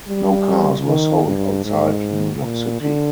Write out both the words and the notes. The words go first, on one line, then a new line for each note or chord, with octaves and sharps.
No cars were sold outside New York City.
G3
D#3
G2
G#2
A#2
D3